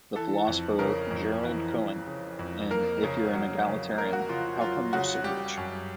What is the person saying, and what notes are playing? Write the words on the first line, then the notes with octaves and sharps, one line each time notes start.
The philosopher Gerald Cohen, in If You're An Egalitarian, How Come You're So Rich?
E3 A4
F2
C#3 A#4
F2
E3
F2
C#3
F2
A#3 A#4
C#3
F#3
C#3
A#3 A#4
F#4
C#3 F4
F#3 F4
C#3 F#4
G3 G4
F#2